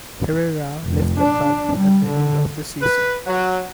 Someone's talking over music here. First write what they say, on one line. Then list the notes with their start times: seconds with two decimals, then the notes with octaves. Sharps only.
Herrera left the club at the end of the season.
0.83 F1
1.20 D4
1.77 G3
2.07 D3
2.82 B4
3.27 F#3